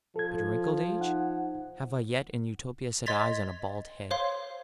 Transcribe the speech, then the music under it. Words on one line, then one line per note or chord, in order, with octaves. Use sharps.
But wrinkled age? Have I yet in Utopia set eyes on a bald head?
F3 A4 G#6
D#4 F#5
D#5 C6 G#6 A6 B6 F7
C5 C#5 F5 C6